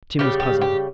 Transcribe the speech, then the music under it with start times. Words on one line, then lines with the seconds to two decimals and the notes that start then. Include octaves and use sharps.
Tim was puzzled.
0.19 C#3 E3 G4
0.23 G3
0.40 G4
0.61 G4